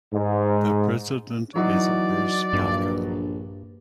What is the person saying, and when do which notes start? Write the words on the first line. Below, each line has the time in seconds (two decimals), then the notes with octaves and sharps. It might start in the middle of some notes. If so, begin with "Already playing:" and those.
The president is Bruce Barker.
0.13 G#2
1.56 E3 F#3 D#4 F#4 D5
2.53 A#1 G2